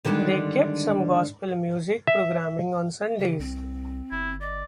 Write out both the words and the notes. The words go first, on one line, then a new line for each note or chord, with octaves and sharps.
They kept some Gospel music programming on Sundays.
D3 D#3 G3 G#3 D4
E5
C#3 G4
C2 C4
G1 E4
D5 D#5